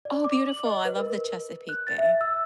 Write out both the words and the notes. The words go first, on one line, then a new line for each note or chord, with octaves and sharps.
Oh, beautiful. I love the Chesapeake Bay.
D5
D6
F#7
D#5
B4
A#4
F#6
A6
E5
E6